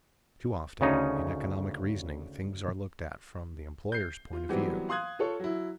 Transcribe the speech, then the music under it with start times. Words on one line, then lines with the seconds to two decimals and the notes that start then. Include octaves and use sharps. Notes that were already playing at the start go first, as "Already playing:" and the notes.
Too often, in economic reasoning, things are looked at from the employer's point of view.
0.81 D2 C#3 C#4 D#4
3.92 G6 C7
4.33 F4
4.49 E3 F#3 G3 B3 C4
4.89 F5 C6 D#6 F#6 G#6
5.19 F4 A4 C#5
5.40 F#3 E4